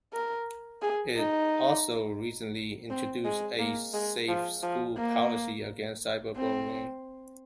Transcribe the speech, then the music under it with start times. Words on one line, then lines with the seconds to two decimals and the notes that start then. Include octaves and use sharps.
It also recently introduced a "Safe School Policy" against cyber-bullying.
0.13 A#4
0.82 G#4
1.17 D#4
2.90 C4
3.25 G#3
3.59 A#3
3.94 G#3
4.28 F3
4.63 F3
4.97 A#3
6.37 C4